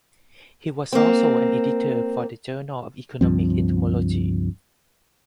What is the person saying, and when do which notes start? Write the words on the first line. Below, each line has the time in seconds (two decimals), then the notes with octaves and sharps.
He was also an editor of the "Journal of Economic Entomology".
0.93 A#3 C4
3.21 C#2 G2 F3 C4